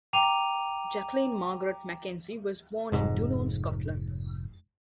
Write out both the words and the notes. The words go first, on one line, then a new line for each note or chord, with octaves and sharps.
Jacqueline Margaret Mackenzie was born in Dunoon, Scotland.
G5 A#5 D6 D#7 F7
F1 G#2